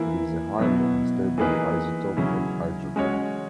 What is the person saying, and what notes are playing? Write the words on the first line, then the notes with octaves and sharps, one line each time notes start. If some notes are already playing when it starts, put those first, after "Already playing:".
It is a highly unstable isotope of hydrogen.
Already playing: E3 A#3 E4
B2 F#3 B3 E4
E3 A#3 D#4 G#4 B4
C#3 F#3 C#4 E4
G#3 C#4 F#4 C#5